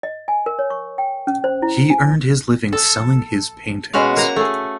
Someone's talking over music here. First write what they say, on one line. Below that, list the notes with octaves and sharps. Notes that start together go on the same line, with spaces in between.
He earned his living selling his paintings.
D#5
G#5
A#4
C#5
C#6
G5
C#4
C5
E4
G#5
A4
B2 G#3 C#4 F#4 F5
A#3 A#5
A3 G#4